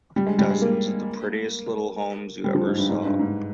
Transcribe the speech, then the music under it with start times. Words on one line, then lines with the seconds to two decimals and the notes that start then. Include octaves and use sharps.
Dozens of the prettiest little homes you ever saw.
0.16 G3
0.27 G#3
0.39 G3
0.50 G#3
0.62 A#3
2.44 G3
2.55 F3
2.67 G#2
2.77 G2
2.90 G#2
3.05 G2
3.19 G#2